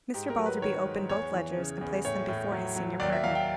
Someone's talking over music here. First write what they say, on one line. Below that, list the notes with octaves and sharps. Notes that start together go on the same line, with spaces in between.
Mr. Balderby opened both ledgers, and placed them before his senior partner.
G#2 G4
A#4
F#3
B4
D#3 C#5
G#2
E2 C#5
E3
C#3
E2
A2 C#5
A2
F#3
F#3
D#2 D5
E5
F#3 F5
G5